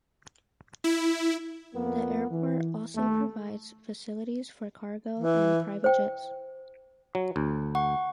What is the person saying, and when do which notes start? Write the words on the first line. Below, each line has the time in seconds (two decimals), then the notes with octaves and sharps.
The airport also provides facilities for cargo and private jets.
0.84 E4
1.74 F2 A#3 B3
2.31 E3
2.95 D#2 A3
5.19 E3
5.84 C5 G5
7.15 F#3
7.36 D2
7.75 F#5 C#6